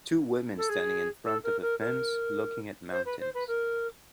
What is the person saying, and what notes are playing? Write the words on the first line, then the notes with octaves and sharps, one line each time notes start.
Two women standing in front of a fence looking at mountains.
A4
G#4
A4
A#4
A#4
A#4
C5
B4
C5
B4
A#4